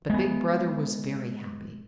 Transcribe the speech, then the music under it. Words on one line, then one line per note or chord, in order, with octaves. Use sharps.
But Big Brother was very happy.
G#3 B3